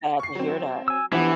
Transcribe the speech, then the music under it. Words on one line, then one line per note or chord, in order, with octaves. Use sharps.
Sad to hear that.
C#6 C7
F#3 C4
G#5 E6
E3 F3 B3 D4 G4 F#5